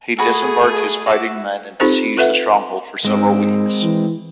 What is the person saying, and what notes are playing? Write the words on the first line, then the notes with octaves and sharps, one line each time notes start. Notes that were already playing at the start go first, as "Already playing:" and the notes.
He disembarked his fighting men and besieged the stronghold for several weeks.
A3 F#4 G#4 B5
F#4 E5 D6
C4 D#4 F4 G4 A4 C5
F4 A4 B4 E5 F#5
G#2 G#3 C4
E3